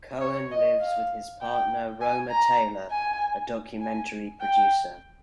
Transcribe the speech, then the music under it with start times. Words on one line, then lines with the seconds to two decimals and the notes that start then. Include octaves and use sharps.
Cohen lives with his partner Roma Taylor, a documentary producer.
0.21 C#5
0.51 D#5
0.80 F5
1.41 G5
2.01 G#5
2.31 A#5
2.91 G#5
3.81 G#5
4.41 G5